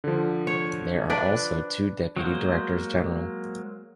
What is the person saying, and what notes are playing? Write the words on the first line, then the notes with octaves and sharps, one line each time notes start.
There are also two Deputy Directors-General.
D3 F3
C#5
D4 B4 D5
F#3 G#3 A#3 C5